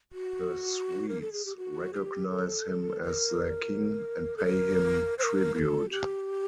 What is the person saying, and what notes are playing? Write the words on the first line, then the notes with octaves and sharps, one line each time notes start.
The Swedes recognize him as their king, and pay him tribute.
F#4
A#4
A4
G#4
G4
F#4
G#4
G4
A4
A#4
A4
A#4
C5
A#4
A#4
A4
G4